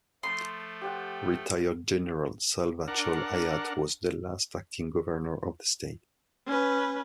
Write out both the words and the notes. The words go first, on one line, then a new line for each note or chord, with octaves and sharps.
Retired General Salva Chol Ayat was the last Acting governor of the state.
F3 A3 A4 C6 D#6
G4 C5 F#5
D4 A#4 F#5
C#4 B4